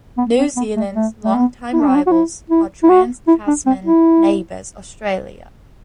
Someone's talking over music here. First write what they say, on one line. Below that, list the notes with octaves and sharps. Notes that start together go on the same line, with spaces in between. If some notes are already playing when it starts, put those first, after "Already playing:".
New Zealand's long time rivals are Trans-Tasman neighbors Australia.
B3
C4
B3
A3
A3
A3
B3
E4
D4
C4
D4
F#4
E4
E4
E4
F#4
E4
D4
C4
E4